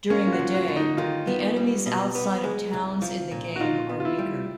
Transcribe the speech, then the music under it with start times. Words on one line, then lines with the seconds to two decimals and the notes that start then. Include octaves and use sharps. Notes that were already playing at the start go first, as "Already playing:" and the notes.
During the day, the enemies outside of towns in the game are weaker.
0.10 A#3 C#4
0.28 F4
0.33 F#4
0.39 F3
0.54 F#4
0.68 D3
0.76 D#4
0.97 D#3 F4
1.27 B3
1.56 G3
1.86 B2
2.15 B3
2.44 G#3
2.73 C2
3.02 F3
3.31 A#2
3.56 F#4
3.60 D#4 F4
3.89 B3
4.00 F4
4.05 E4
4.19 G3